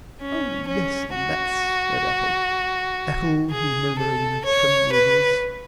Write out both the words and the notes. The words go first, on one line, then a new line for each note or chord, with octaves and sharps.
Oh yes lets said Ethel." "Ethel he murmered in a trembly voice.
C#4
C#4
F#4
G#4
A4
C#5
B4